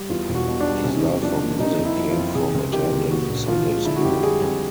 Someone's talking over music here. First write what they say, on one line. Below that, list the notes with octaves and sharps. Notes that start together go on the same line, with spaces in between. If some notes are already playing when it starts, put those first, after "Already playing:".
His love for music came from attending Sunday school.
Already playing: G3
E2 F4
E1
F#4
B2
D4
G3
C3 C#4
E2
F3 D4
A#3
C3 D#4
F2
E4
F3
F4
F2
C3 G#4
C#2
D#3 G4
C#2
A#2 F#4
A#1
F3 F4
G#3
D3 E4
F#4
F2 G4
G3 G#4
F2 G#4